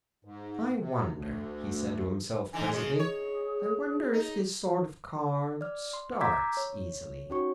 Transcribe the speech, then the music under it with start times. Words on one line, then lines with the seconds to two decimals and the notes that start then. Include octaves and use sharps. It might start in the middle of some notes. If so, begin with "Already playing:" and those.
'I wonder,' he said to himself presently, 'I wonder if this sort of car STARTS easily?'
0.25 G#2
0.79 C3
1.14 D2
2.53 D3 E3 D#4 G#5
2.73 C#3 G#3 G#4
2.99 C#5
4.13 D#4 G#4
5.61 D5 F6
5.93 C6
6.21 A#5 D6 E6 G6 G#6 B6
6.57 C#5
7.30 C#4 D#4 F#4 C#5 C#6